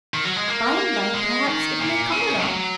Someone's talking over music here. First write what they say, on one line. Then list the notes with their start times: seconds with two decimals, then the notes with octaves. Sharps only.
By-and-by, perhaps, it may come round.
0.14 D#3
0.25 F#3
0.36 G#3
0.47 A#3
1.14 G#3
1.47 D#3
1.80 A#2
2.12 C#3
2.40 D#3
2.46 F#3